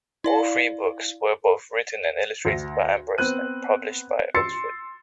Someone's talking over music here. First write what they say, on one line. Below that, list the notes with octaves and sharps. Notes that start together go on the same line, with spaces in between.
All three books were both written and illustrated by Ambrus and published by Oxford.
E4 D5 F5
D2 A#6
B3 C4 F#6 D#7
C6 E6 A6 C7 C#7